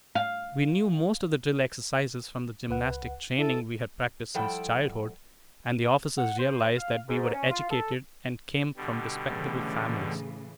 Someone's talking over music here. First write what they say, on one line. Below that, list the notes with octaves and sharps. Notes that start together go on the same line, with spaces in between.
We knew most of the drill-exercises from the gymnastic training we had practiced since childhood, and the officers realized that we were educated and came from respectable families.
F5
C#2 B4 F#5
E4 A4
F3 G3 E4 A4 F#5 G5
F#5
C5
F5
G#2
C#4
F4
A4
B2 D3 G3
A2 C#3 E3